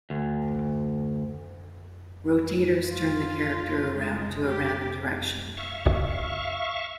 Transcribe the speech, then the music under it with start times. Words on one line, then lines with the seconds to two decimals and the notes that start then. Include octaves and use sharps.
Rotators turn the character around to a random direction.
0.10 D2
2.88 F4
3.96 G#3
4.45 G4
5.57 E5 F5 C#6